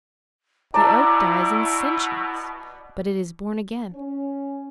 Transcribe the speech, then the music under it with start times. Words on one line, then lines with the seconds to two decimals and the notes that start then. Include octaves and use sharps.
The oak dies in centuries, but it is born again.
0.74 B2 E4 D5 A5 A#5
3.93 C#4